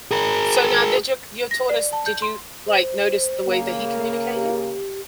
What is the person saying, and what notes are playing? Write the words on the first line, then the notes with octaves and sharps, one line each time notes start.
So, now did your your tortoise did you, like, notice the way that he communicated?
G#4 A#4
A#6
D5
A5
G6
C6
C5
C#3 A#3 F5
G4